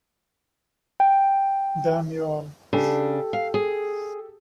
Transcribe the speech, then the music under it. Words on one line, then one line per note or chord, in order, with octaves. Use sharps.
Damn you all!
G5
C#3 D4 G4 A4
F5
G#4